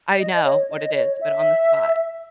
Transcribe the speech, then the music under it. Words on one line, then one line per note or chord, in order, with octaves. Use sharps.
I know what it is, but on the spot,
D#5
C#5
D#5
C#5
E5